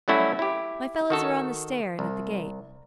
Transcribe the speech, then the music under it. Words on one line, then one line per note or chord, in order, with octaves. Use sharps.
'My fellows are on the stair and at the gate.
F#3 G3 A3 C#4 E4 F#4
E4 G4
D#3 F#4 A4
C2